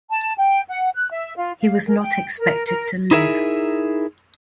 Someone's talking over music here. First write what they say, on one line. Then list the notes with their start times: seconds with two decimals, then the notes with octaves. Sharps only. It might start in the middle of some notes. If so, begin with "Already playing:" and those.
He was not expected to live.
0.11 A5
0.37 G5
0.69 F#5
0.95 F#6
1.12 E5
1.37 F4
1.61 F5
1.87 A#4
1.99 G5
2.38 A#4
2.66 A#4
3.11 D#4 E4 G#4 A#4 E5